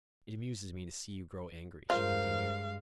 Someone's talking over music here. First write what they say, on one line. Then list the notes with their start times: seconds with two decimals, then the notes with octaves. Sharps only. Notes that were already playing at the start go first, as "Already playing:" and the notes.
"It amuses me to see you grow angry," she continued.
1.90 G2 G#3 F4 A#4 C5 F5